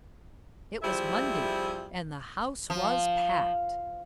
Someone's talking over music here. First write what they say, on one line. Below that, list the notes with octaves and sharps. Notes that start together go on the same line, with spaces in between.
It was Monday and the house was packed.
F3 G3 C4 E4 G#4 E5
F3